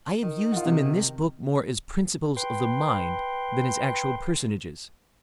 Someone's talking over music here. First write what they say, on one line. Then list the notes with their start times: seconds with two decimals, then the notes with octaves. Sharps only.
I have used them in this book more as principles of the mind than as actual personages.
0.23 D#3
0.52 F4 F#5
0.65 C3
2.37 B4 G5 C6